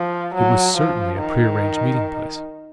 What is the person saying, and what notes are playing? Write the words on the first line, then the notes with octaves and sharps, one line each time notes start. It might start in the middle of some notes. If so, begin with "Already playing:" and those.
It was certainly a prearranged meeting place.
Already playing: F3
F#3
F3
D#3